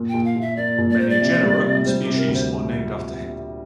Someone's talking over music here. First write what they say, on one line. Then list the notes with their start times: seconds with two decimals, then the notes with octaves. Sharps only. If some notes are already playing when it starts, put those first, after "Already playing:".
Many genera and species are named after him.
Already playing: A#2
0.09 G5
0.14 A#2
0.24 F5
0.36 A#2
0.41 E5
0.57 A#3 D5
0.78 A#2
0.90 D5
0.99 A#3 C5
1.09 D5
1.21 C3
1.43 G3
1.64 C3
1.85 G3 C5
2.02 C3 G4
2.13 C5
2.17 A#4
2.28 D2
2.34 C5